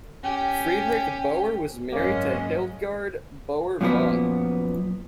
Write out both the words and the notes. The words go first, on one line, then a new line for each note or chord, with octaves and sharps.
Friedrich Bauer was married to Hildegard Bauer-Vogg.
C#4 G4
G#1 F#2 G#3 A#3 C#4 D#5
F#2 A#2 F3 B3